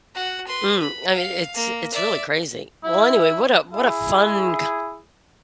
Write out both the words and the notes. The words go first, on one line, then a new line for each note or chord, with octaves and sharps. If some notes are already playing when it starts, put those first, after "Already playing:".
Mm. I mean, it's it's really crazy. Well, anyway, what a what a fun c
F#4 F#5
B4 C6
B5
F5
A#3
D5 E5
E4
E4 G#4